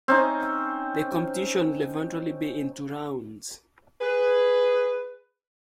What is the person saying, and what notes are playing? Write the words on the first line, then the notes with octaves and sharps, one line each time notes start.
The competition would eventually be in two rounds.
C4 C#4 D#4
G#4 B4